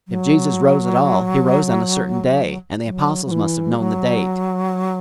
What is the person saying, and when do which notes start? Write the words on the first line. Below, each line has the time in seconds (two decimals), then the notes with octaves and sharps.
If Jesus rose at all, he rose on a certain day, and the apostles must have known the date.
0.08 F#3
2.85 F#3
3.26 F#3
3.32 E3
3.73 G#3
3.79 F#3